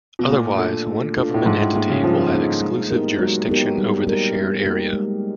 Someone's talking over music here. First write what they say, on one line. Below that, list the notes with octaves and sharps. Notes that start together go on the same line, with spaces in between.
Otherwise, one government entity will have exclusive jurisdiction over the shared area.
B2
A#2 A3
D4 F4 A4
A3
D4 F4 A4
A2
G#2 G3
A2
A2 A#3 D#4 G#4
C#3
F3 G3
A#3 D#4 G#4
G#3
B3 D#4 G4 A#4
F#3 G#3
B3 D#4 G4 A#4
G3
A#3 D#4 G4 A#4
G3
A#3 D#4 G4 A#4
G#3